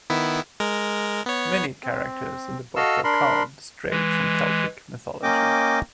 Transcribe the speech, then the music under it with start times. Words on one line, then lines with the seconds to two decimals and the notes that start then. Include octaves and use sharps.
Many characters in the book are culled straight from Celtic mythology.
0.10 D#3 B3 E4
0.60 G#3 A#4
1.26 B3 C#5
1.84 C4
2.76 F#4 A4 D#5 F5 E6
3.04 D4 A#4 B5 C6
3.90 E3 G#3
5.23 A#3 C#4 D#5 G5 D6